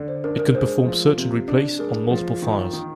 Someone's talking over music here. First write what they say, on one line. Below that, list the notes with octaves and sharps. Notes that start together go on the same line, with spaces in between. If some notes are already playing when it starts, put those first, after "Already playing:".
It can perform search and replace on multiple files.
Already playing: D3
C5
D4 A#4
A#4
G#3 C5
F3
C3
D4
G#3 A#4
F3
D#3
D#3